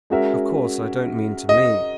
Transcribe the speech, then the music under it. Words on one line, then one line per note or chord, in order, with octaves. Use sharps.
"Of course I don't mean to me."
G#3 C#4 F#4 A#4 E5
D#5